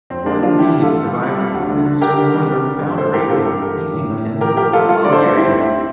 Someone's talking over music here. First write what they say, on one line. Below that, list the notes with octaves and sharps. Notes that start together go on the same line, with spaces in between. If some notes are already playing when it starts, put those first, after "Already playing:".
Horden Dene provides Horden's northern boundary with Easington Colliery.
F2 C4
D3 A#3 D4
F3 D4 F4
D3 E4 G4
D3
F4 A4
F3
G3
G3
G3
D2
D3
D3
D3 G4 A#4
D3
G3
D3
G3
G2
G2 A4 C5
E3 G4 A#4
G2 F4 A4
G2 G4 A#4
G2
G2
A2
A2
A2
F3 G4 A#4
F3 G4 A#4
F3 F4 A4
G3 F4 A4
D3 D5
A4 C5
D3
G3 C4 E4
D2
C4 E4